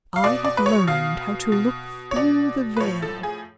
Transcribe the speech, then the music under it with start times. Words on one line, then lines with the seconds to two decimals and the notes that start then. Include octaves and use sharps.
I have learned how to look through the veil.
0.16 F5
0.24 B2 D5
0.45 D5
0.57 B4
0.66 C#5
0.87 B2 F5
1.52 B2
2.11 C#5
2.16 B2 D5
2.77 B4
2.80 A2 F3 C#5
3.02 A4
3.23 G#4